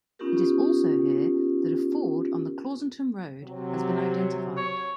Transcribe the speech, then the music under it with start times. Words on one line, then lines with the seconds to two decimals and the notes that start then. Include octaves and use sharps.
It is also here that a ford on the Clausentum road has been identified.
0.19 B3 C#4 D#4 F4 G4 A#4
3.42 C3 F#3
4.57 C#5